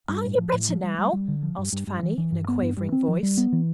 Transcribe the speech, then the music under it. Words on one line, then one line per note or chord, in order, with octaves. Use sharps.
'Are you better now?' asked Fanny, in a quavering voice.
G2
A2
F3
A2
F3
G3
G3
G3
D3
F3
G2
G2
G2
E3
E3
G2
B3
G2
G2
C4
F3
G3
B3
E3